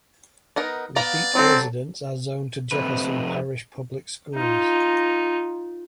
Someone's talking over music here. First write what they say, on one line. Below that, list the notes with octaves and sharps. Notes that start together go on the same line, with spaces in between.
Lafitte residents are zoned to Jefferson Parish Public Schools.
B3 D#4 A#4
B3 D5 F5 A#5
F#3 C4 A4
F2 C3 B4
D#4 F4